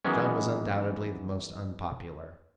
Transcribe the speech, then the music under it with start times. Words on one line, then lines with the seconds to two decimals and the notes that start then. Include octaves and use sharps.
John was undoubtedly the most unpopular.
0.05 D#3 E3 F#3 G#3 B3 C#4